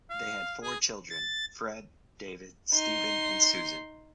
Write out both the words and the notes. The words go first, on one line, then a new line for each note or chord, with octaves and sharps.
They had four children: Fred, David, Steven and Susan.
F5
G#4
A6
D#4 C6